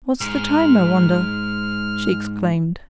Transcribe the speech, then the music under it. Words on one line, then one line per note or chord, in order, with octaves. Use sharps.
"What's the time, I wonder?" she exclaimed.
G#2 F6